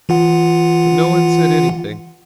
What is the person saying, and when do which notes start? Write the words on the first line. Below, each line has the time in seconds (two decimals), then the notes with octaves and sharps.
But no one said anything.
0.09 E3 F4 F#5